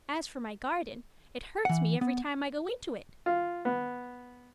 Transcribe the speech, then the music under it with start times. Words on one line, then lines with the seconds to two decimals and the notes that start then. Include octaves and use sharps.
As for my garden, it hurts me every time I go into it.
1.65 E3 F#5
2.01 B3
3.26 F4
3.65 B3